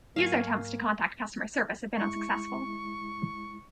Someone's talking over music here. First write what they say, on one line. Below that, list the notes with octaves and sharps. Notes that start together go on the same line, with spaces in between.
User attempts to contact customer service have been unsuccessful.
G#2 F#3 A#3 F5 G#5 C#6
G#3 E4 C#6